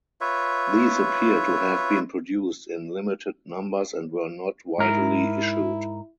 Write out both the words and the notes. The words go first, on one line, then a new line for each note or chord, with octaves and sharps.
These appear to have been produced in limited numbers and were not widely issued.
F4 B4 C#5 E5
G#2 E4 A#4